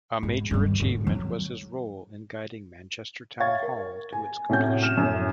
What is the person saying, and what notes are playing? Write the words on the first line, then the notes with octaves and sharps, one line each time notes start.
A major achievement was his role in guiding Manchester Town Hall to its completion.
G#2
G2 D#3
G#2 D3
F#3 E4
C#5 E5 F5 C#6 G#6 A6
A#4
G#5
A2 C3 C#4 F#4 G6
F6 E7
F#2 A2